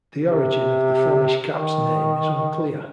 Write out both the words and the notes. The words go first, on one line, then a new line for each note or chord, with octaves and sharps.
The origin of the Flemish Cap's name is unclear.
C3
D#3